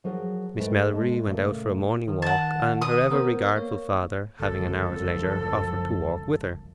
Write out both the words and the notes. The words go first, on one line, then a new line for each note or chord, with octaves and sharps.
Miss Melbury went out for a morning walk, and her ever-regardful father, having an hour's leisure, offered to walk with her.
F3 F#3 G#4 A#4
G#2 A3 A#4 B4 G5
G#3 A5
A#2 C#3 A3
D#3
F#5 A5
D#6
B3 A#4 C5
A#3 C#5
G1 C#2 F#2 F3 A4